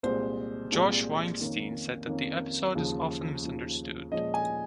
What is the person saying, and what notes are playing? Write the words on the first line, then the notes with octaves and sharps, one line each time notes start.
Josh Weinstein said that the episode is often misunderstood.
C2 A#2 G#3 C5
C2 A#2 G#3
F2 D#3 A#3 C#4
F2 D#3 A#3 C#4
D#2 C#3 F3
D#2 C#3 F3
A#2 F3 G#3 C#4 D#5
G#5